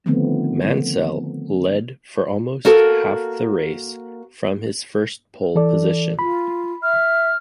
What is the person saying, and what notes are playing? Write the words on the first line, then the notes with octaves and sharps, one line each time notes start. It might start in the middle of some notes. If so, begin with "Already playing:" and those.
Mansell led for almost half the race from his first pole position.
D3 D#3 F3 A3 B3 C4
A#3 F#4 A4 A#4
E3 A4 D5
F4 B5
E5 F6